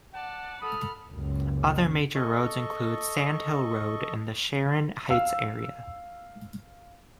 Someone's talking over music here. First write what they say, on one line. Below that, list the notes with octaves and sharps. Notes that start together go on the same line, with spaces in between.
Other major roads include Sand Hill Road in the Sharon Heights area.
D5 F#5 A5
A4 B5 D#6 F6
F#1 C#2
A4 D#5 C#6
F5 E6